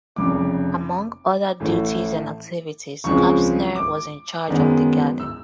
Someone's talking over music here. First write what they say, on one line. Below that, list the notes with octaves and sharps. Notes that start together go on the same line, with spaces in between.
Among other duties and activities, Kapsner was in charge of the garden.
F1 F2 C#3 D6
A1 A2 E3 A3
C#2 C#3 F3 G#3 C4 C#6
D6
F#2 D#3 G#3 B3
E6